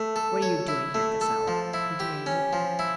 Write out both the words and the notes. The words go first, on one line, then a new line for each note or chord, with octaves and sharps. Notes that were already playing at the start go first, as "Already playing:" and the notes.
"What are you doing here at this hour?" he demanded.
Already playing: A3
A4
C#5
E4
A3
A4
F3
E4
G4
C#4
F3
E4